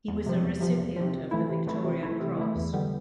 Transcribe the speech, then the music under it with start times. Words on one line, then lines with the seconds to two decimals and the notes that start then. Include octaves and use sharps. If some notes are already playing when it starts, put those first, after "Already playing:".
He was a recipient of the Victoria Cross.
0.08 E2
0.26 C3 F3
0.43 E2
0.60 C3 F3
0.79 E2
0.96 C3 F3
1.14 C3
1.31 E3 A3 E4
1.49 C3
1.67 E3 A3 E4
1.84 C3
2.03 E3 A3 E4
2.20 C3
2.38 E3 A3 E4
2.56 E2
2.73 D3 G3 B3